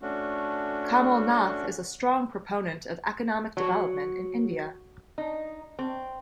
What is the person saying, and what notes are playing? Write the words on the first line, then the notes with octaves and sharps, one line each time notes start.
Kamal Nath is a strong proponent of economic development in India.
A3 C#4 D4 F#4
F#3
D#4
C4